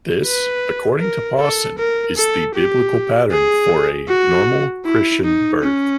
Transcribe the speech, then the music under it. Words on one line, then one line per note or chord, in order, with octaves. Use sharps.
This, according to Pawson, is the biblical pattern for a "normal Christian birth".
B4
A#4
A4
A#4
A4
G4
G#4
F#4
E4
D#4
C#4